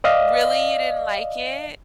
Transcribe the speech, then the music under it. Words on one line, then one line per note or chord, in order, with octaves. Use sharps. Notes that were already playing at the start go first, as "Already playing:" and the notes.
Really, you didn't like it?
D5 D#5 F5